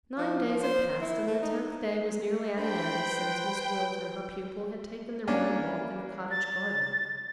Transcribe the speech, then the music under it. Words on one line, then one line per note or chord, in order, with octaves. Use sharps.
Nine days had passed, and the tenth day was nearly at an end, since Miss Gwilt and her pupil had taken their morning walk in the cottage garden.
F3
F3
C5
E4
A3
D#4
D4 C5 G5 B5
B4
A#3 C#4 D4
A6